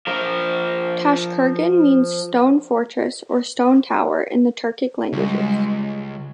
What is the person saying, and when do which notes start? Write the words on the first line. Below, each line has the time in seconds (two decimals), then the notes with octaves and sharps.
Tashkurgan means "Stone Fortress" or "Stone Tower" in the Turkic languages.
0.07 F3 A#4
5.13 C#2 G3 G#3